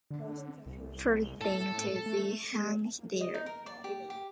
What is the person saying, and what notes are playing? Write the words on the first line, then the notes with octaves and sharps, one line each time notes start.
First thing to be hung there.
D3
C2
A2 A4 A5
A3
D#5
D#4
A#4
D5
G4
G4